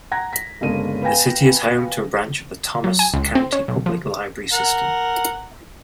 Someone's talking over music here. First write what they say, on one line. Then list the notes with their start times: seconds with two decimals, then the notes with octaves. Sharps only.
The city is home to a branch of the Thomas County Public Library System.
0.11 F#5 A#5 G#6 A#6
0.33 B6
0.61 G1 C#3 G#3 A#3 D4 D#7
1.02 B4 F5 G5 G#5 A#6
2.84 F#3
2.99 G#5
3.14 C#2
3.35 C4
3.52 C#4
3.68 B1
3.86 F3
4.53 A#4 F#5